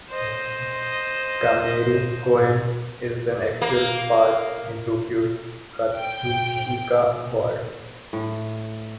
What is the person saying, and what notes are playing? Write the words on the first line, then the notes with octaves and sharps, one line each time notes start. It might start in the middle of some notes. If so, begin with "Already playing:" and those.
Kameari Koen is an actual park in Tokyo's Katsushika ward.
C5 D#5
A#3
G5
A2